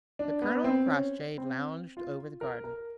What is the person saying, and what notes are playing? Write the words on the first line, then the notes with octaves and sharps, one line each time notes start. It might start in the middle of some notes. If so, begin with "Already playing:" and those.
The colonel and Crossjay lounged over the garden.
D4
B3
C4
C#4
C4
F4
A#4
A#4